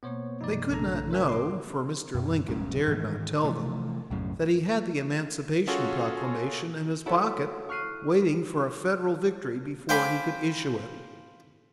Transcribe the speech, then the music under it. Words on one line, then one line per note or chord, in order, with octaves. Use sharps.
They could not know, for Mr. Lincoln dared not tell them, that he had the Emancipation Proclamation in his pocket waiting for a Federal victory before he could issue it!
B2 A#3 B3 C5 C#5
G2 C3 F3 D#4 D5
A#1 D3 A3 D4 A4 A#5
A#4 C5 E5 G#5
C6 D6
F#2 B2
D1 B1 G#2 C#4
G#2 D#3 E3 G#3
C3 E3 F3 A3
B1 F#2 A2 C#3
C#4 F4 F#4 G#4 A4 C#5
E4 F#4 A4 C#5
C#6 F6 F#6 C7 D#7
C5 F5 G5 G#5 B5 D6